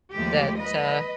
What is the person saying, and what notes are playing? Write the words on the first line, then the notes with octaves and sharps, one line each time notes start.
that, uh,
D#2 F3 G#3 A3 G4
B4 D#5